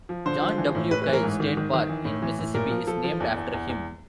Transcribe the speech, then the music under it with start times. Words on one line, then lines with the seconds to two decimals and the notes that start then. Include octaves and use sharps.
John W. Kyle State Park, in Mississippi, is named after him.
0.09 F3
0.26 D3 C5
0.42 F3
0.58 E3
0.75 A2
0.91 A2 B4
1.02 B4
1.07 E3
1.13 A#4
1.24 G#2
1.40 D#3
1.57 D#3
1.73 D#3
1.89 E3
2.05 A2
2.22 E3
2.39 A2
2.54 A#2 A#4
2.71 F3
2.87 F3 A4
3.03 F3
3.20 E2
3.37 E2
3.53 E2
3.69 E2